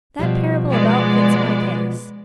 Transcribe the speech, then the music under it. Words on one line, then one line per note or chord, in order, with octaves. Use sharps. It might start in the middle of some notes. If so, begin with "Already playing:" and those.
That parable about fits my case.
B2 F3 G3
G#3 B3 D5